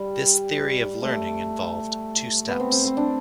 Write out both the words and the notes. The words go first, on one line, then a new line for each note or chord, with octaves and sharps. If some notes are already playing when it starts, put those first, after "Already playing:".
This theory of learning involved two steps.
Already playing: G3
A3
B3
C4
C4
C4
D4